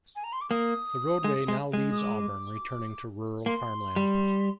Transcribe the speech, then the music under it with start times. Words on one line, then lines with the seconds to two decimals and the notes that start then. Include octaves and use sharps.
The roadway now leaves Auburn, returning to rural farmland.
0.16 G#5
0.24 A#5
0.33 C6
0.41 D6
0.50 A#3 D#6
1.24 G#3
1.48 G#3
1.73 G#3
1.91 D#6
1.98 D6
3.46 A#3 C6
3.96 G3